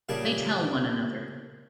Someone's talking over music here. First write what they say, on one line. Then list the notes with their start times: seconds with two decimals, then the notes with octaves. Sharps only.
They tell one another.
0.09 A#2 C#3 G3 D4 G#4